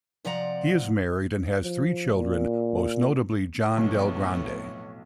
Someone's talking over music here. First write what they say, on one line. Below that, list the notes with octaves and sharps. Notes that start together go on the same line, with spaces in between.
He is married and has three children most notably John Del Grande.
C3 F3 D5 F#5 A#5
F3
A#2
B1 F2 A2 B3 C#5